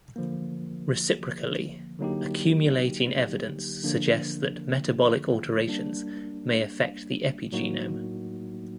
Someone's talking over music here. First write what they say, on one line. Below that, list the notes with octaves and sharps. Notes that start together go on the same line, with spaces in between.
Reciprocally, accumulating evidence suggest that metabolic alterations may affect the epigenome.
D3 F3 A#3
D3 F#3 A#3 D#4 G4
D3 F3 A#3 D4
G3 A#3 D4
A2 F#3 A#3 D#4 F#4